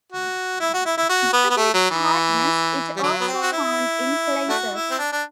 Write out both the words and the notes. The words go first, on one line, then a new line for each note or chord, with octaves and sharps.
Due to its hardness it also is found in placers.
F#4
E4
F#4
E4
E4
F#4
B3
B3
A3
F#3
E3
G3
D3 F#3
B3
C4
F#4
E4
A3 D4 F#4
E4
C4
D4
D4